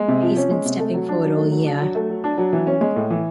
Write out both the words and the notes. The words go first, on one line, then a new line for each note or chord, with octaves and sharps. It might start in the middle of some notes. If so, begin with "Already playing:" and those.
He has been stepping forward all year.
Already playing: G#3
C3
F3
C#4
G#3
C3
A3
F#3
D4
F#3
A3
F#3
D4
F#3
A3
F#3
D4
F#3
E3
C#4
G#3
A2
E3